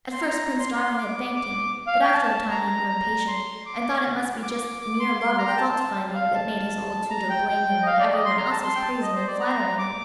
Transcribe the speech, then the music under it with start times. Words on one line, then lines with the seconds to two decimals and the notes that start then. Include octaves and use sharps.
At first Prince Darling had thanked him, but after a time he grew impatient and thought it must be just mere love of fault-finding that made his old tutor blame him when everyone else was praising and flattering him.
0.13 C6
0.21 A#5
0.59 C6
0.68 A#5
0.76 C6
0.98 D6
1.36 D6
1.87 F5
2.00 G5
2.13 A5
2.51 A#5
2.89 A#5
3.28 C6
3.66 D6
4.43 D6
4.81 D6
5.00 C6
5.19 C6
5.38 A#5
5.48 G5
5.57 A5
6.15 F5
6.34 A5
7.10 A#5
7.30 G5
7.49 G5
7.83 D#5
7.87 F5
8.00 D5
8.12 D#5
8.25 C6
8.38 A#5
8.51 A5
8.64 C6
8.76 G5
8.83 A5
9.02 D#5
9.15 C5
9.27 D5
9.40 A#5
9.78 D6